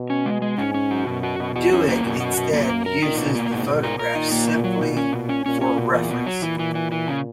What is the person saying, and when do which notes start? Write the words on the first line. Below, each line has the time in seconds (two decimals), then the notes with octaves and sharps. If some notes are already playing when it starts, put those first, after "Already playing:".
Doig instead uses the photographs simply for reference.
Already playing: B2
0.10 C#4
0.26 G#3
0.42 G#3
0.58 G#2 C#4
0.74 C#4
0.91 F#4
1.07 F#2 B2
1.23 F#4
1.40 B2
1.55 E2 F#4
1.73 C#4
1.88 A#3
2.04 F#2 B2
2.20 F#4
2.37 B2
2.53 A#3
2.69 A#4
2.86 A#4
3.02 A#2 D#4
3.18 B2
3.35 A#3
3.51 G#2 B2
3.67 B2
3.83 A#4
3.99 A#2 A#4
4.15 D#4
4.31 A#3
4.47 B2
4.64 F#3
4.81 B2
4.97 C#4
5.12 B2
5.29 C#4
5.45 A#2 C#4
5.61 C#4
5.78 B2
5.94 E2
6.11 B2
6.26 F#3
6.42 A#2 E3
6.59 E3
6.75 E3
6.92 E3
7.08 C#3